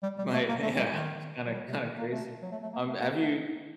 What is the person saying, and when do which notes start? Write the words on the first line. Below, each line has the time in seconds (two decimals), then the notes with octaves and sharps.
you might Yeah. It's kinda kinda crazy. Um, have you
0.03 G3
0.18 G3
0.34 A3
0.48 A#3
0.63 A3
0.78 G3
0.93 D#3
1.47 F#3
1.53 G3
1.68 C3
1.83 D#3
1.98 A#3
2.12 A3
2.42 F#3
2.52 A3
2.63 A3
2.73 A#3
2.88 A3
3.03 A#3
3.17 A3